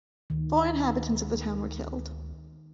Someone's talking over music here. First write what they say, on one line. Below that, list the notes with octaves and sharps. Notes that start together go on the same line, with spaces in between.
Four inhabitants of the town were killed.
D2 D#3